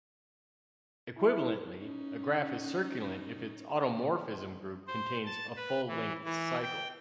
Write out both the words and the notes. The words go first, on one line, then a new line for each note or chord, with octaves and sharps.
Equivalently, a graph is circulant if its automorphism group contains a full-length cycle.
E4
C#4 D#4
C5
A5
B4
E3
E3
G5